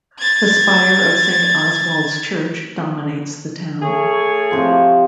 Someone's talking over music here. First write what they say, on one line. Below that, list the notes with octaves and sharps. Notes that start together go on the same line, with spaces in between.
The spire of Saint Oswald's Church dominates the town.
G#6 A6
A3 G#4 C#5
C3 F3